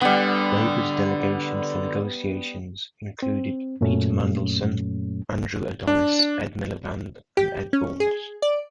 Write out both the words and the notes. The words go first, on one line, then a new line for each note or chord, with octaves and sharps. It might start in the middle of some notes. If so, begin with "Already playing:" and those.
Labour's delegation for negotiations included Peter Mandelson, Andrew Adonis, Ed Miliband, and Ed Balls.
D3 G3 B3
C4
F#2 A#2 F#3 A3 C#4
D4
G4
C#4
G#4
D5